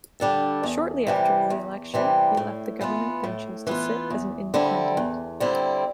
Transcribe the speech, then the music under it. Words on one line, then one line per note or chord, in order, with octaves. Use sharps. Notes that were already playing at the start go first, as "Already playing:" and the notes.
Shortly after the election, he left the government benches to sit as an independent.
D3 G3 D4 A4
E2
C3 E3 G3
E2
C3 E3 G3
A2
E3 B3 F4
A2
E3 B3 F4
E2
D3 G3 C4 E4
E2
D3 G3 C4 E4